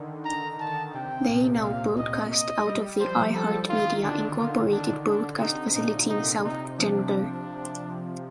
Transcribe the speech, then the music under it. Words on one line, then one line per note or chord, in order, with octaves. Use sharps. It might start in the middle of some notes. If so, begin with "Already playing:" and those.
They now broadcast out of the iHeartMedia, Incorporated broadcast facility in south Denver.
Already playing: D3 D#3
A#5
A5
C3 G5
A#2
A#2 F5
D#5
D#5
G3
F3 C5
A4
D#3 F4
D3 D4
D#3 F4
D#3 D4
D3 D4
C3 D#4
A#2 D#4
D#4
C3 D#4
F3 D4